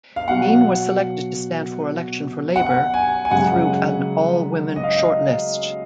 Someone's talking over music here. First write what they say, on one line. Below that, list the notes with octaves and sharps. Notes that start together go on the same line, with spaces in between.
Dean was selected to stand for election for Labour through an all-women shortlist.
F5
B2 F#3 F#5
F#5
G#5
G#5
F#2 C#3 G#3 F#5
D#5
F5